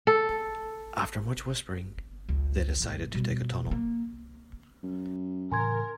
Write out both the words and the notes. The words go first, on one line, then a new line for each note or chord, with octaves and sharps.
After much whispering, they decided to dig a tunnel.
A4
C#2
C2 G#2
B2 G3
G#3 A#3
F#2
A2 C#3 E3 A#4 G#5 C6 G#6